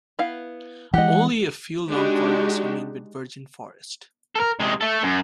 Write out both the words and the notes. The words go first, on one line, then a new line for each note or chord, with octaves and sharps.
Only a few long corners remain with virgin forest.
B3 E4 F5
E3 G#3 G4 D#5 F#5
G#3 D4 D#4 F#4 G4
A4 A#4
C3 G#3
A3 A4
F#2